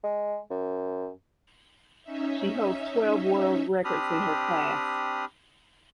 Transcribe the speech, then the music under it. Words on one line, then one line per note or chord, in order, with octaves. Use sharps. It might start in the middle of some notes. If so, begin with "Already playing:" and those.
She holds twelve world records in her class.
G#3
F#2
C#4 D#4 E5
C4 D4 G4 B5 D#6 F6